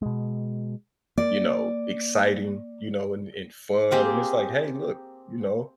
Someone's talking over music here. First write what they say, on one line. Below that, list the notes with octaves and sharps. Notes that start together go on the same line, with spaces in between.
you know, exciting, you know, and, and fun, and it's, like, "Hey, look, you know,
B2 G#3
A#3 D5
A#3 C4 G4 G#4